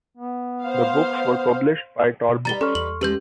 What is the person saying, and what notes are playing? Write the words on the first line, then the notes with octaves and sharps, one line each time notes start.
The books were published by Tor Books.
B3
C5 F5
B2
G3 D#4 B4 A#5 A6 G7
C#4 A4 C6 C#6 F6
E2 F#7
G#3 A3 C#4 G4 B4 G6